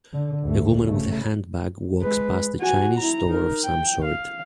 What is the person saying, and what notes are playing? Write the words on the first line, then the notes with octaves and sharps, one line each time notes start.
A woman with a handbag walks past a chinese store of some sort.
D3
D2 G#2 A3
A1 C#3 A3
G#3 B4
F#4 G#5
E4 A#5
D#4 A#4
G5
F5